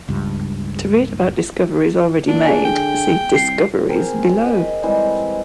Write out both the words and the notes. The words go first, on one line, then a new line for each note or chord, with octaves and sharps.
To read about discoveries already made, see "Discoveries" below.
C#2 G2
A#2 D4
G#4 G#5
D3 G5
C2 C7
C4 G#4 A#4 A#5
D#5 B5
E3 G3 G#3 C4